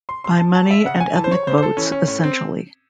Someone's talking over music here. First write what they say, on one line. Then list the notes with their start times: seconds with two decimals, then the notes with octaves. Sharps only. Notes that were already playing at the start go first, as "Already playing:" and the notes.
By money and ethnic votes, essentially.
0.09 C6
0.24 C3 C6
0.39 A5
0.55 F#3 A5
0.71 E5
0.85 C#3 F#5
1.00 G#5
1.15 E3 A5
1.24 C5
1.31 C#5
1.47 C#3 C5
1.58 C5
1.63 A4
1.77 E3 C#4
1.92 C#4
2.07 A2 C#4
2.24 C4